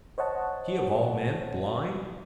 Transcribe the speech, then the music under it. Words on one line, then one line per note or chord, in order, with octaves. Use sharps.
"He, of all men, blind!"
C5 C#5 D#5 F#5 A5